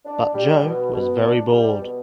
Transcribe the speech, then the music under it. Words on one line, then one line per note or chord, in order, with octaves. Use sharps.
But Joe was very bored.
D4
G3
B2
B2
D4
G3
B2